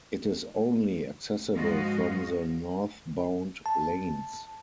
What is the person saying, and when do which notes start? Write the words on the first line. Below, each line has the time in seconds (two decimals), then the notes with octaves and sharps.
It is only accessible from the northbound lanes.
1.52 G#2 F3 G#3 F#4 D#5 F5
3.66 A5